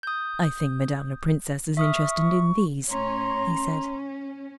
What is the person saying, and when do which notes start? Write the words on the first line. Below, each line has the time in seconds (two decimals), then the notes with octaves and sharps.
"I think madame la princesse is interested in these," he said.
0.03 D#6 G6
1.77 E5 C#6 D#6 F6
2.90 A2 C#4 C#5 A#5 C6
3.38 C#4